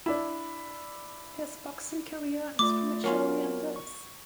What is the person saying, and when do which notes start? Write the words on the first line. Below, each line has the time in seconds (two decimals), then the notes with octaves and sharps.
His boxing career is prematurely ended.
0.06 D4 E4
2.59 A3 F4 D5 D6
3.04 F#3 B3 C#4 F4 F#4 A#4
3.76 C#6